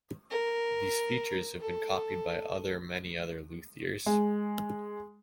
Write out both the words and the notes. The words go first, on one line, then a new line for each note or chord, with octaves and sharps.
These features have been copied by other many other luthiers.
A#4
A4
G#3